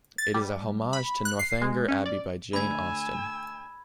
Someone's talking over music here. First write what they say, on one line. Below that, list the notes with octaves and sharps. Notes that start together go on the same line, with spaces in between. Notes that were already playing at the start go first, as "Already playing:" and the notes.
It is a homage to "Northanger Abbey" by Jane Austen.
A6
G3
B5
F#6
C7
G#3
C#4
D5
D2 G#5 B5 E6 G#6